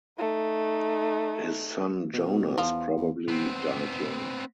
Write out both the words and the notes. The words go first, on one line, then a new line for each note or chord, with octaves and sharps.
His son Jonas probably died young.
A3 D#4
B2
E2 F3
E2
B3 C4